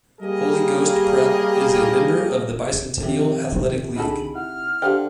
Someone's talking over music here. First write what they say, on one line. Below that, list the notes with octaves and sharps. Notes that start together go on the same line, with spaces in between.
Holy Ghost Prep is a member of the Bicentennial Athletic League.
G3 A#3 G4 G#4 A#4 D#5
C3 D#3 F3 C4
C2 D3 D#4 F#4 G#4 A4 B5
E4 F#5 F6
D3 G4 C5 F5 G5